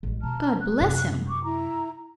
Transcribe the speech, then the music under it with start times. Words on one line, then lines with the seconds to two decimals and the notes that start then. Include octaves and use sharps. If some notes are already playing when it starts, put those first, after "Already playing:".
God bless him!
0.03 A1 G#3
0.23 B2 A5 A#5 F6
0.61 F#6
0.80 F#2 C3
1.29 C#6 D6
1.44 E4 A#5